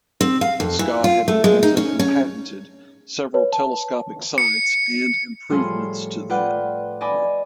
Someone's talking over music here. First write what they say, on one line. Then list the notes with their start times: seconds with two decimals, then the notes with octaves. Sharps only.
Scott had invented and patented several telescopic sights and improvements to them.
0.21 C4
0.41 F5
0.60 F2
0.79 E3
1.04 F4
1.28 A3
1.44 G#3
1.63 D#4
1.77 C#4
1.99 C#4
3.34 B4 C#5
3.53 A5
4.38 C#7
5.50 A2 F3 G3 F4 G#4 C6
6.29 F4 B4 D5 F#5 G5
7.01 D5 D#5 G#5 B5 D6 D#6